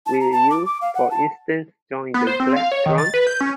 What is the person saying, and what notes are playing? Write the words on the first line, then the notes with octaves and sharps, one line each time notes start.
Will you, for instance, join the glad throng?
A5
A#5
A5
D6
D6
F5
F#5
A5
B3
C5
C4
F5
C#5
D#3
A6
B4
G6
C#4